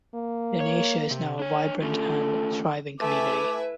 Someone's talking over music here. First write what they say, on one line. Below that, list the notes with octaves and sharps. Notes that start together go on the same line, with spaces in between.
Lenasia is now a vibrant and thriving community.
A#3
C#5
C3
D4 C#5
A3 C#4 F4 A4
A3 E4 B4 E5 G#5 D6